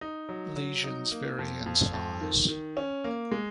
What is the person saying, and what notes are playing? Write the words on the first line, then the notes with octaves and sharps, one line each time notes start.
Lesions vary in size.
D#4
F#3
F#3
D#4
A#3
F2
F2
F2
D#3
D#3
C#4
A#3
G#3